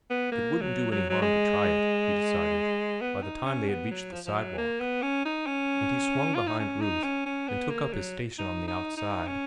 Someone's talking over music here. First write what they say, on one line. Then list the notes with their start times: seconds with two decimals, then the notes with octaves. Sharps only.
It wouldn't do any harm to try it, he decided, by the time they had reached the sidewalk; and he swung behind Ruth and took up his station on the outside.
0.10 B3
0.32 A#3
0.61 F#3
0.92 F#3
1.10 F#3
1.22 G#3
3.01 B3
3.22 D#4
3.45 C#4
3.68 B3
3.91 F#3
4.12 F3
4.26 F3
4.36 F#3
4.58 A#3
4.80 B3
5.03 C#4
5.25 D#4
5.47 C#4
6.35 F4
6.47 D#4
6.59 C#4
6.82 D#4
7.03 C#4
7.26 C#4
7.48 B3
7.70 A#3
7.93 F#3
8.39 D#4
8.68 D#4
8.97 D#4
9.27 C#4